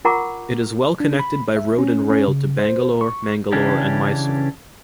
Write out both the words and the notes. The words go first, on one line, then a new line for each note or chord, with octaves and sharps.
It is well connected by road and rail to Bangalore, Mangalore and Mysore.
F4 A#4 F#5 A#5 C#6 D6
D4
B5
E5
C#4
C#4
C#3
C5
C#6
C#3 E3 C#4 D4 G4